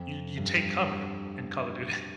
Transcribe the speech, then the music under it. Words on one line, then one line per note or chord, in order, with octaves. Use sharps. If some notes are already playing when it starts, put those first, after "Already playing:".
You you take cover in Call of Duty.
Already playing: F2
G2